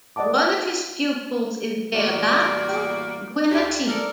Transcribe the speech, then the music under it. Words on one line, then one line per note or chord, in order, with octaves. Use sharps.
One of his pupils is Deodato Guinaccia.
D5 D#5 F#5 A5 D6
E2 A2 G3 A#3 F#4 D5
D2 D4 G4
A4 A#4 D5